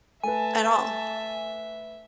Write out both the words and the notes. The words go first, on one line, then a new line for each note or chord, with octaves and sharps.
at all,
A3 B4 E5 G#5 A5